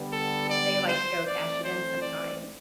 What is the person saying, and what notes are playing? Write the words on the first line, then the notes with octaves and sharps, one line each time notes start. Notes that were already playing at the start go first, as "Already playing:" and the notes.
they like to go cash it in sometimes,
Already playing: D3 G3 B3
A4
D5
C5
E3 A3 C4 D5
C5
D5